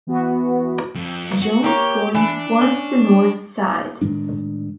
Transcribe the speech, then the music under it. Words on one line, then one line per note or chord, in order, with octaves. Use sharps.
Jones Point forms the north side.
E3 B3 F#4
F2
F#4
A#3 G4 C#5
E3 D4
C#4
A2 D#3 G#3 D4